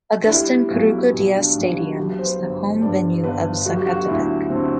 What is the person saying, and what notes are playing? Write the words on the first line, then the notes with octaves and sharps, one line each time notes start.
Agustin "Coruco" Diaz stadium is the home venue of Zacatepec.
D4
G3 E4
B1 F#4
B2
D4
B1
F#4
F#3 G4
C5
B4
G1
G2 D5
G1 B4
F#3 F#4
G4
F#4
D2 E4
D3 C4